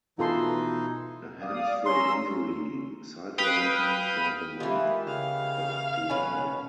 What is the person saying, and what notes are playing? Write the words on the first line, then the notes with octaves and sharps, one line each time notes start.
A hamstring injury sidelined him for the month of July.
B2 E3 D#4 F4 A4 C6
D5 F5 D#6
C#4 A#5 C6 E6
B4 F5 G5 D#6
D#3 E3 A#3 E4 F4 G4 B5
C#3 F5
B2 C#4 B4 C#5 D#5 G#5